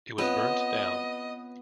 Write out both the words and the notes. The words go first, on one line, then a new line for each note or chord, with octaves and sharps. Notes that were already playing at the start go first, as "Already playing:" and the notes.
It was burnt down.
B3 C4 F4 B4 C#5 D#5 G5